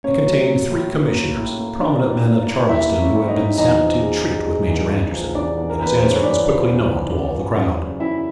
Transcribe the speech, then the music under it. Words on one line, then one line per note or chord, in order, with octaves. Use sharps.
It contained three commissioners, prominent men of Charleston who had been sent to treat with Major Anderson, and his answer was quickly known to all the crowd.
A#3 C#4 C#5
F#3
A#3
A2
A#3
A#3
A2
A#3
A#3 D4 D5
A2
A#3
A2
A#3 E4 E5
A#3
C#4 C#5
A2
D#4 D#5
A2
E2 D#4 D#5
F3
G#3
G#3
G#3
E2
C#3
F3
E2 D4 D5
E2
A#4
E2 B4
C#3 C5
C#5
E2 D4 D5
F3
E2
E2
C#3
F3
F#2
C#3
F#2 E4 E5